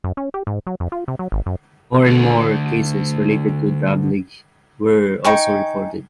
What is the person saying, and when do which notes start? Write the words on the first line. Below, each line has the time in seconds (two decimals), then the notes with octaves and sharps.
More and more cases related to Tabligh were also reported.
0.04 F#2
0.17 C#4
0.34 G4
0.47 G#2
0.67 F#3
0.80 F2
0.92 F4
1.08 C3
1.19 F#3
1.32 G#1
1.46 F#2
2.07 D2 D3
5.24 D#4 G5 G#5 C#6